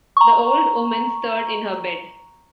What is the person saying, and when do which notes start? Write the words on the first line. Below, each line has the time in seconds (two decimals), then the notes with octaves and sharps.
The old woman stirred in her bed.
0.17 A#5 C#6